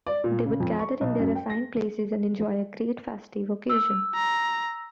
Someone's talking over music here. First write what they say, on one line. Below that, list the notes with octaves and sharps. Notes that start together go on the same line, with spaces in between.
They would gather in their assigned places and enjoy a great festive occasion.
D5
A#2
C#3
F2
C#6
B1
F#2
G5
A#6
E6
A#5